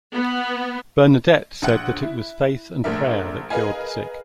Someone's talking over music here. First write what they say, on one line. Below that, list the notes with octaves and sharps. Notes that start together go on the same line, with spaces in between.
Bernadette said that it was faith and prayer that cured the sick.
B3
A#1 F#5 F#6
E4
A#1 A3 D4 A#4 E5
G#4 A#4 B4 D#5 F5 G#5